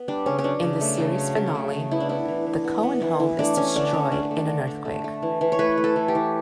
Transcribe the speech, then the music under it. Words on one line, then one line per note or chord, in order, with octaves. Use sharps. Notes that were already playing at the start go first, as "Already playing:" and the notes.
In the series finale, the Cohen home is destroyed in an earthquake.
Already playing: B3
G3 D4
C#3 C#4
C#4
F#3 D4
C#3
A3
C#3
F#3
C#3
A3
C#3
B3 E4
D4
B3 E4
E3
E3
B3
B3
E3
E3
A3 D4
A3 C#4
D3 D4
D3 C#4
A3 D4
A3
D3
D3
A3
A3
E3
E3
C#5
A3 B4
A3
A4
E3
G4
E3